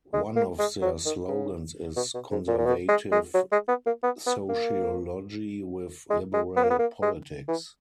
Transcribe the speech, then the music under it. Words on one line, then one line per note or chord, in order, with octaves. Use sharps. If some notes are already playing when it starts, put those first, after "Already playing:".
One of their slogans is 'conservative sociology with liberal politics.
G#3
A#3
G#3
F#3
D#3
C#3
B2
B2
G#2
A#2
A#2
B2
G#3
G#3
F#3
G#3
B3
A#3
B3
B3
A#3
G#3
G#3
B3
A#3
B3
A#3
G#3
E3